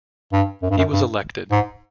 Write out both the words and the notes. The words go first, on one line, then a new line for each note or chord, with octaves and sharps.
He was elected.
G2
F#2
G2
F#2
G2
G#2